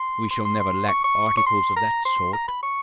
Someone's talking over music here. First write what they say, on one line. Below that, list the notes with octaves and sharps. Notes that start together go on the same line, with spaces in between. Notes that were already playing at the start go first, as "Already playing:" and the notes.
"We shall never lack articles of that sort."
Already playing: C6
C6
C6
C6
C#6
C#6
C#6
C6
A#5
C6
A#5
B5
C#6